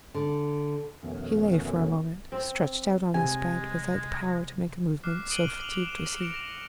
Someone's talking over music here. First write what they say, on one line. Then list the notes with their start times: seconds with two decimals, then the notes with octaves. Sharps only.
He lay, for a moment, stretched out on this bed, without the power to make a movement, so fatigued was he.
0.14 D3
1.03 F2 B2 D#3 A3 B3 C#4
2.32 C4
3.14 C3 G#3 G#5
5.04 D6 F6 F#6 C7
5.30 D#6 D7 D#7 F#7 G7
5.59 D6 D#7 F7
5.88 E7
6.20 A#6 C#7 D7 E7 F7
6.34 A#6 E7